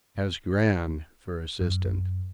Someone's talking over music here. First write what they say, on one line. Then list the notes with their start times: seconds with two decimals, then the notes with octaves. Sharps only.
He has Gran for assistant.
1.61 F#2